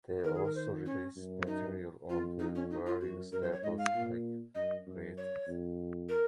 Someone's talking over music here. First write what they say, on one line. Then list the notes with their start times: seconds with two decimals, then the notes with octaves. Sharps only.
They also released material on the various labels Ike created.
0.24 D#3 A#4
0.35 G#4
0.44 A#4
0.55 C5
0.86 C#4
1.16 F#2
1.47 D#4
2.09 F2 F4
2.39 D#4
2.55 C#4
2.70 D#4
2.86 F4
3.01 F#2 F#4
3.32 F#2 A#4
3.42 C5
3.52 C#5
3.63 G#2 D#5
3.78 F5
3.94 A#2
4.55 F#2 D#5
4.86 F#2
5.17 C#5
5.47 F2
6.09 A#4